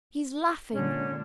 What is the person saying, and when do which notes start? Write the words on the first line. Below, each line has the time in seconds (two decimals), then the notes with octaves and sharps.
"He's laughing."
0.73 A#2 D3 G#3 C#4 D4